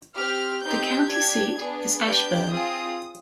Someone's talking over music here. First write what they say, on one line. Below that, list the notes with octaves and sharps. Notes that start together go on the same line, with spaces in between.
The county seat is Ashburn.
C4 G4 F6
C4 D#4 G4 G6
D4 G4 G#6
B3 D4 G#4
B3 D4 G4 G6
C4 F4 G#4 D#6